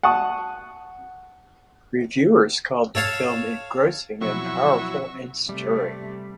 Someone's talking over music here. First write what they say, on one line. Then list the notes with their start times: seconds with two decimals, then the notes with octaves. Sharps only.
Reviewers called the film "engrossing" and "powerful and stirring".
0.03 F#5 A5 C#6 D#6
2.95 A4 C#5 F5 A5
4.21 B2 F3 F#3 C4 E4 C#6 E6
5.49 C3 G3 A3